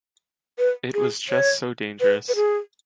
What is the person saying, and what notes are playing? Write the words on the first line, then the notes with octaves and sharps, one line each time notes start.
It was just so dangerous.
B4
G#4
C#5
B4
B4
G#4